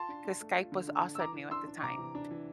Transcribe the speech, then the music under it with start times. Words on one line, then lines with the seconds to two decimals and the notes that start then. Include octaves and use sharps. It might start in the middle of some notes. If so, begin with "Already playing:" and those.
'cause Skype was also new at the time.
Already playing: F4 A5 C6
0.09 D4
0.25 D4
0.41 A3
0.56 F4
0.72 D3
0.87 D4
1.04 D4
1.15 E6
1.19 E3 A#5 D6
1.35 E3
1.51 D4 C6 E6
1.67 D4
1.82 C3 A#5 D6
1.98 E3
2.15 D4
2.31 E3